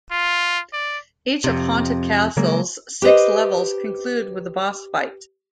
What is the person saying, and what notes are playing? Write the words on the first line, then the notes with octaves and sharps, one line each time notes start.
Each of "Haunted Castle"'s six levels conclude with a boss fight.
F4
D5
F2 C3
C#3 F#3 G#3 A#3
G4 B4 C5 D#5